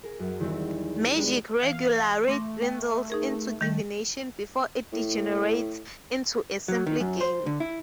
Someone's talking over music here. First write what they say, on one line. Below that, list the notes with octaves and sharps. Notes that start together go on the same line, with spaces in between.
Magic regularly dwindles into divination before it degenerates into a simple game.
G#4 A#4
F#2
E2 D#3 E3 G3 C4
G#3 B3 D4 G4
E3 F5
A3 C6 D6 A#6
G5
D#4 G#4 A#4
D#3 G3 A3
A2
F#3
D#3
F#2
C5
D3
E4